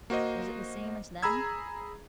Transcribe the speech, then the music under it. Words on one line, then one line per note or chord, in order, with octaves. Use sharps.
Was it the same as then?
A#3 F#4 C5 D#5
G#4 A#5 B5 E6 G#6